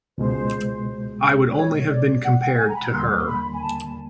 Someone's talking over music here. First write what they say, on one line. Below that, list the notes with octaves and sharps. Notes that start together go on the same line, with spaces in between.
I would only have been compared to her.
C#2 B2 G#3 C5
C#5
D5
F#5
G5
G#5
A#5
B5
D#2 D3 G3 A#3 C6
B5
G#5
A5